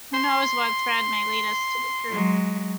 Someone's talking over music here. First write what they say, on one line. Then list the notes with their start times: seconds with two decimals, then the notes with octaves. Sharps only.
Who knows what thread may lead us to the truth?
0.14 C6
2.11 F#3 G#3